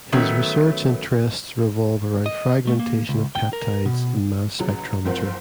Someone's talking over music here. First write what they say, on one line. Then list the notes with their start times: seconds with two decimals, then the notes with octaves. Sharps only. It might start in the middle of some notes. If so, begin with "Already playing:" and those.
His research interests revolve around fragmentation of peptides in mass spectrometry.
0.12 D#3 F#3 A3 B3 C#4
2.26 D#5
2.67 A3
2.80 A#3
3.09 C#2
3.35 G5
3.53 A#4
3.85 B2
4.59 A1 C#3 F#3
5.05 F#1 F3 C4 A#4 F#5